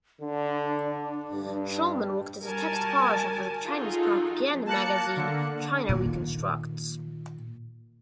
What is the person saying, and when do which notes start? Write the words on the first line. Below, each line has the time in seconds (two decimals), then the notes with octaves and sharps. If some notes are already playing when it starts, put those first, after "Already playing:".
Shulman worked as a text-polisher for Chinese propaganda magazine "China Reconstructs".
0.20 D3 D4
1.33 G2
2.44 G3 F#4 A#4 G#5 A5
3.65 D#4 F4 F#4 G#4 A4
4.66 A#3 A5 F#6 C#7
5.17 D3
5.89 A#2 D#3